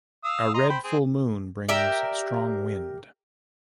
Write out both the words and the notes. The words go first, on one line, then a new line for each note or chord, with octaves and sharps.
A red full moon brings strong wind.
F5 D#6 E6
D#5 A#5 C6
C5 G5 B5
C4 G#4
G4 A#4 D5 E5